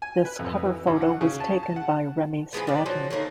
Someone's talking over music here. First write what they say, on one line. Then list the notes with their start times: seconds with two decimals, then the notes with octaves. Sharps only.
This cover photo was taken by Remy Stratton.
0.02 G#5
0.25 B4
0.39 F2
0.66 E3
0.87 D#2
1.02 F#5
1.21 C#3
1.40 A5
1.63 A5
1.76 F#5
2.53 E3 F3 G#3 B3
2.67 D4 D5
2.86 F3 F#3 D#4
3.10 D3 F#3 A#3 D#4